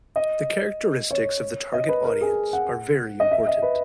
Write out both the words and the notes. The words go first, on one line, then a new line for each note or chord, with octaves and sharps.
The characteristics of the target audience are very important.
D#5
C#5
D#5
B4
A#4
G#4
F#5
D#5
E5
D#5
B4